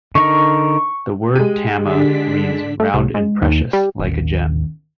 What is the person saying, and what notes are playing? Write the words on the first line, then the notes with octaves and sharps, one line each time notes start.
The word "tama" means "round and precious", like a gem.
D3 D#4 A#4 C#6
G#3 G4 D#7
D3 D4 B6
A3
C2
G#2
D#2
G3
A1 D#2